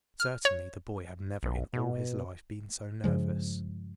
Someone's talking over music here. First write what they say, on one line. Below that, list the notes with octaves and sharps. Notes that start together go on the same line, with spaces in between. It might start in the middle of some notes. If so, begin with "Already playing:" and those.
Certainly the boy had never in all his life been so nervous.
F6
C#5
B1
B2
G2 C#3 F3 G#3